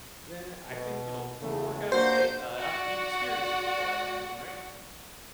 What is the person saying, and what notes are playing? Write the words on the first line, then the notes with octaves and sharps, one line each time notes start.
then I think it'll it'll work out okay, uh um, you've experienced this before, I imagine, right?
B2
E2 C#3 A3
A#3 D4 F#4 C5
F#4 D5 F#5